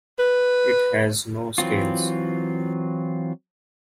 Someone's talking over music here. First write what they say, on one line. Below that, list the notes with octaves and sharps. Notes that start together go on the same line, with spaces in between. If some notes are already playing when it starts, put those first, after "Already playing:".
It has no scales.
B4
E3 F#3 C4 F4